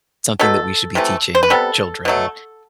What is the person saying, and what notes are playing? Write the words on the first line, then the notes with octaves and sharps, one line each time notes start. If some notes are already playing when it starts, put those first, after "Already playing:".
something that we should be teaching children,
B2 F#3 A3 A4
C3 E3 A3
C5
B4
C3 G3 B3 A4
B2 F#3 A3